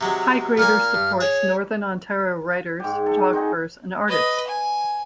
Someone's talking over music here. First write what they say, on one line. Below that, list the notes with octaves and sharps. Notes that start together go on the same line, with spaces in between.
"HighGrader" supports northern Ontario writers, photographers and artists.
C3 F#3 G#3
A#2 A#3 G#5 F6
G2
G#4 C#5
G#2 G4
A4
C4 D#4 F#4 G#4
B4 D#5
G#5